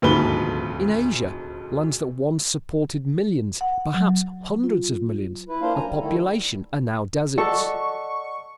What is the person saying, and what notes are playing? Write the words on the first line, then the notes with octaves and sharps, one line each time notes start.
In Asia, lands that once supported millions, perhaps hundreds of millions, of population are now deserts.
D#1 D2 G#2 F3 B4 G7
F#5
F#3
F4
E4 B4
A#3 D4 E4 F4 C5 F5
F#2 F3 G#5 A#5
G3
D3 D#3 G3 A3 E4 A4
A4 D5 D#5 F#5 C#6